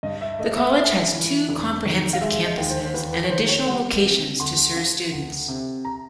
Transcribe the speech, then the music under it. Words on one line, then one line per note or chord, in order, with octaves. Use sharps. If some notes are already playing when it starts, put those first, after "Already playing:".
The college has two comprehensive campuses and additional locations to serve students.
G2 D#5
E5
A3 D#5
E5
C#4 E5
E3
F1
D#3
F5
G#3 E5
D#5
D#2
C5
C5
E2 B4
B4
C#5
D#3 C5
C#5
G3 F#5
C3
D2 C6
F3
D2
C3
A#5